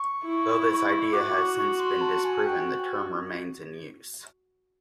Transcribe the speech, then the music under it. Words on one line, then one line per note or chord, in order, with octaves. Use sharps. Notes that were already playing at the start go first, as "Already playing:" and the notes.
Though this idea has since been disproven, the term remains in use.
Already playing: C#6
E4
F#4 D6
C#6
C#6
C6
A5
G#5
G5